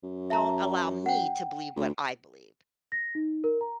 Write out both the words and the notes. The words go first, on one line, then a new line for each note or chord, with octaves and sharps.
don't allow me to believe what I believe,
F#2
E5 A5 A#5
F#5 G5
D2
A#6
D#4
A#4
A#5